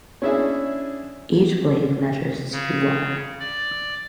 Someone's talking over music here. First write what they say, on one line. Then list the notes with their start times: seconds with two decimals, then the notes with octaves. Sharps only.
Each blade measures to wide.
0.22 C#4 D4 E4 G#4 E5 G#5
2.52 C#3
3.39 D5